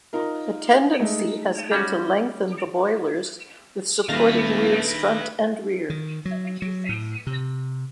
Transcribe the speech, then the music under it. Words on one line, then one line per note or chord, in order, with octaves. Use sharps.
The tendency had been to lengthen the boilers with supporting wheels front and rear.
D#4 F4 A#4
G#3 A3 D#4
G3 C#4 F#4
D#1 D#3 A3 B4 F5 A#6
D#3
F#3
F#3
A2
C3